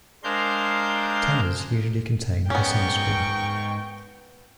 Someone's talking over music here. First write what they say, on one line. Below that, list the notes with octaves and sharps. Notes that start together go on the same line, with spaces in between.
Tanners usually contain a sunscreen.
G#3 D4 A#4 C5 F5 G6
G#2 B3 C#4 G#4 A#4 D5 G5 C#6